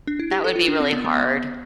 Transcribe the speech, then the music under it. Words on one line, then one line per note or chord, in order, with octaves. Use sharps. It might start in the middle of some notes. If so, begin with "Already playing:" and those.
That would be really hard.
D4
E4
G4
A4
F4
D4
C4
B3
B3